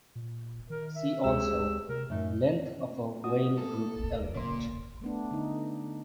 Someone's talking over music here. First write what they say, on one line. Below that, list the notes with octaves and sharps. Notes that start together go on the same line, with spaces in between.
See also: length of a Weyl group element.
A#2
D#3 A#4
E5
D2 G#3 G4 C#5 E6
C3 A#4
F#2 A2 A3 D#4
C3 F#4 D#6
A#2 A#3 A4
A#4 D5
A#2 C#3 A#3 C6
A3 B3 D4
D3 D#4